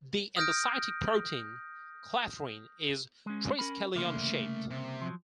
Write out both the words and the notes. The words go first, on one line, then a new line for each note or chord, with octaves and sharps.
The endocytic protein, clathrin, is triskelion-shaped.
D#6 F6 G6 A#6 D7
G#3 C#4
C#4 A#4 B5
C2 C#3 A3 A#3 C6
C3
F3 F#3